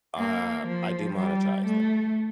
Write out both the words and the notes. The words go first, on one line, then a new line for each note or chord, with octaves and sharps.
uh, I do monetize them.
A#3
F3
G3
A3